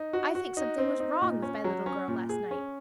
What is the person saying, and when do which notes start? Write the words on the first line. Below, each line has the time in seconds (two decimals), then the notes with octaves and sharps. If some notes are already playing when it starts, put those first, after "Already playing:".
I think something was wrong with my little girl last night.
Already playing: D#4
0.13 F#4
0.35 F#4
0.57 D#4
0.78 C4
1.00 D#4
1.22 A#2
1.42 C#4
1.64 F#3
1.86 C#4
2.08 A#2
2.29 G#4
2.51 C#4